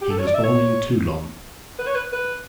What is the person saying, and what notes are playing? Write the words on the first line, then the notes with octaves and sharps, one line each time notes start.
He was born in Toulon.
G4
A4
C#5
D5
E5
C#5
B4
C#5
B4
B4